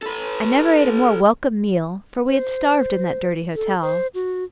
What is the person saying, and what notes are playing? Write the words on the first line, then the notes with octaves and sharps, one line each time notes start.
I never ate a more welcome meal, for we had starved in that dirty hotel.
A4 B4
C5
A4
C5
F#4